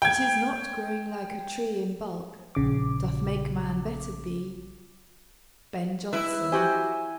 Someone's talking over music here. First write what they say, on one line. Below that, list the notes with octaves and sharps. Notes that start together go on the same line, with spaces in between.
It is not growing like a tree In bulk, doth make man better be. BEN JONSON.
G5 G#6
A#1 C#3 D6
G#3 E4 B4
F#4 G4 C5 G#5